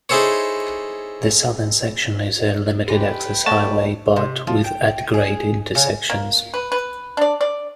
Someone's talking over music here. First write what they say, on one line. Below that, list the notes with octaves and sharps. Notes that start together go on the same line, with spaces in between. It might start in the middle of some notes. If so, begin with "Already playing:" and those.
The southern section is a limited-access highway, but with at-grade intersections.
D#4 E4 G#4 A4 C5 C#5
G4 A4 B4 G5 G#5
A3 A4 D#5 A5 C#6
C3
F3
G5
G#4
C#3
A#3
B4
B4
D4 D5
D5